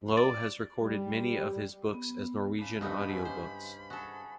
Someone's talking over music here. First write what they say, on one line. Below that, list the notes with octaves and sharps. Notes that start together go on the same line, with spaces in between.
Loe has recorded many of his books as Norwegian audiobooks.
D5
G3
B3
C#3 D4 B5
G2 E3 F3 B3 D#4 F#4 A4
F#3 G#3 C#4
G4 C5
F#4 G#4 A4